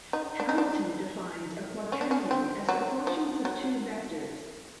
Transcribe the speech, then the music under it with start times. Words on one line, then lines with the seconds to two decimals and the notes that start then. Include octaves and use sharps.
Hamilton defined a quaternion as the quotient of two vectors.
0.13 D#4
0.40 D4
0.49 D#4
0.58 D4
1.92 C#4
2.01 D4
2.11 C#4
2.31 C4
2.69 F#3
3.07 F3
3.45 F#3